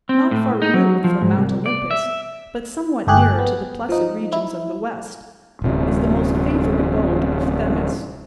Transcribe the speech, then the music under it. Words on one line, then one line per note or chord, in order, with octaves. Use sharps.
Not far removed from Mount Olympus, but somewhat nearer to the blessed regions of the West, is the most favoured abode of Themis.
C4
A2
D#4
F#3
F3
G#2
C2
D5
E5
G1 A3 G4 G#4 F#6
B3
F3 D#4
E4
D1 C3